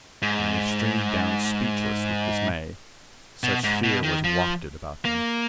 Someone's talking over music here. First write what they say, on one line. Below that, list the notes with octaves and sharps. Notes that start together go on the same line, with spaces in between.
And they streamed down speechless with dismay; such fear was wafted about them.
G#2
B2
G#2
B2
D#3
F3
A#3